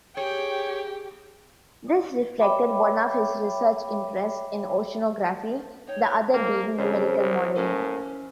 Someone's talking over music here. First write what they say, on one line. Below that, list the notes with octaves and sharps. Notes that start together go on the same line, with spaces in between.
This reflected one of his research interests in oceanography, the other being numerical modelling.
G4 G#4 C#5 G5
C#5 E5 G5 B5 D6
D#4 C#5 G5
F2 A#3 A#4
F2 C#3 D4 B4 C5
C2
A2 A#3 C#4